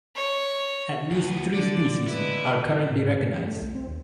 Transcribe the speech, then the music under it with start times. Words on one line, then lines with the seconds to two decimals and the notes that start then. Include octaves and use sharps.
At least three species are currently recognized.
0.16 C#5
1.11 D2 B3
1.54 D3 D5
2.08 D3 G#3 E4 B4
2.90 A2
3.02 G#2
3.15 G2
3.32 E3
3.46 A3
3.62 C2
3.74 C4
3.88 D#2